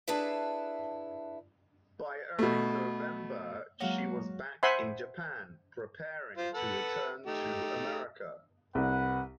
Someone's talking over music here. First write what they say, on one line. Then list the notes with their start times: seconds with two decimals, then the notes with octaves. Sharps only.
By early November, she was back in Japan, preparing to return to America.
0.08 D4 E4 G#4 A4 B4 E5
2.39 B2 A3
3.80 F#3 G#3 A#3 F#4 C#5 F5
4.63 C5 E5 F#5 G#5 B5 C6
6.38 F4 C5
6.54 A4 B4 F#5
7.26 A3 D#4 G4
8.75 C2 B4 F#5